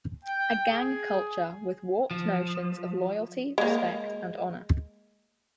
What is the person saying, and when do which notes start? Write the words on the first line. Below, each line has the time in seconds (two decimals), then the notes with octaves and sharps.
A gang culture with warped notions of loyalty, respect and honour.
0.25 G5
0.69 G#4
2.11 F3
3.58 G#3 A#3